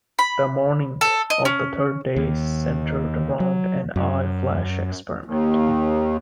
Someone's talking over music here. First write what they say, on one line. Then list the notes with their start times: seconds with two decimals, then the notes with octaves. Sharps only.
The "morning" of the third day centered around an "eye flash" experiment.
0.19 B5
1.01 A4
1.30 D#5
1.45 C#4
2.16 D#2
3.40 F#3
3.96 F#2
5.25 D#2